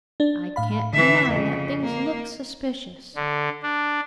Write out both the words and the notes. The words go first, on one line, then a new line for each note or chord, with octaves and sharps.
I can't deny that things look suspicious.
D4
A2 F5 B5
D3 E3 E5
F2 C#3
A#3
D3
D4